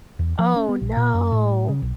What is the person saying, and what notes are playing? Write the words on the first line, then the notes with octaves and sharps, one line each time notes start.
Oh, no.
E2
F3
C#4
B3
A#1
A#2
F#2
A2
C#3
B1